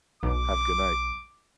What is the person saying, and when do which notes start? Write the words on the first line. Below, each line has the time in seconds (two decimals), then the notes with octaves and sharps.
Have a good night.
0.23 B1 D6